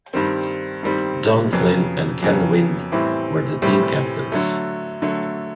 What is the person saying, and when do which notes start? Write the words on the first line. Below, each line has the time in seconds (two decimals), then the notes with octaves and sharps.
Don Flynn and Ken Wind were the team captains.
0.14 G2 D#3 G3 C4
0.83 G2 D#3 G3 C4
1.53 F2 C#3 F#3 B3
2.23 F2 C#3 F#3 B3
2.92 A2 E3 G3 C4
3.62 A2 E3 G3 C4
4.32 D3 F#3 A3
5.02 D3 F#3 A3